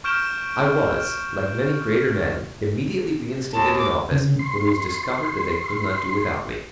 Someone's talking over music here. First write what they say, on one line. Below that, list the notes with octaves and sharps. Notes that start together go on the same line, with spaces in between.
I was, like many greater men, immediately reinstated in office when it was discovered that they could not do without me.
C#6 F6 G6 D7 E7 G7
D#2 A5
D6
C#3
C6